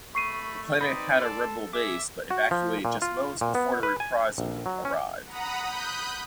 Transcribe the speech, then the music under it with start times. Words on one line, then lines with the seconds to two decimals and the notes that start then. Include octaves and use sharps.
The planet had a rebel base, but evacuated just moments before the "Reprisal" arrived.
0.15 A3 B5 C#6 C7 D#7
0.81 C4 D#4 B4 D5 D#5 B5
1.22 A4 A5 C6
1.73 G#4 E5 D6
2.31 F#4
2.51 F3
2.85 A#2
3.02 F4
3.41 A#2
3.55 B3
3.83 B4
4.00 G#5
4.38 A#1
4.66 F#3
4.85 C#4
5.24 F#5 A#5 B5 D#6
5.63 B5 D#6 F#6 G6